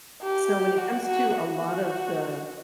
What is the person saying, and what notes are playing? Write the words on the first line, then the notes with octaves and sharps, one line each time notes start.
So when it comes to a lot of the,
G4
F#4
F#4
F#4